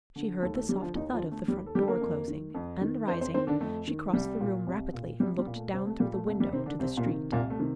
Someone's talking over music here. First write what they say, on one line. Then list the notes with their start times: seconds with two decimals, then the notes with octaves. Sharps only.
She heard the soft thud of the front door closing, and rising she crossed the room rapidly and looked down through the window to the street.
0.16 D3
0.42 D#2 A3 A4
0.56 A3 A4
0.69 D3 G3 G4
0.82 F3 F4
0.95 D#2 D#3 D#4
1.13 F3 F4
1.21 D3
1.31 A3 A4
1.48 D#2 G3 G4
1.66 A4
1.75 D3 G3 G4
1.83 A4
1.88 A#3 A#4
2.01 F2
2.28 D#3
2.54 F2
2.81 D#3
3.07 F2 C4 C5
3.21 C4 C5
3.34 D#3 C4 C5
3.47 D3 D4
3.60 F2 A3
3.88 D#3
4.13 C2 G3
4.41 A#2
4.67 C2
4.94 A#2
5.20 C2 G3
5.38 G3
5.47 A#2
5.56 A3
5.73 C2 C3 C4
5.86 A3
5.99 A#2 G3
6.13 A3
6.26 C2 A3
6.40 G3
6.53 C3 D#3 C4
6.66 D3 D4
6.79 C2 C3 C4
6.97 A#2 A#3
7.06 C3 D#3
7.32 C2 A#2 A#3
7.50 A3
7.59 C3 D#3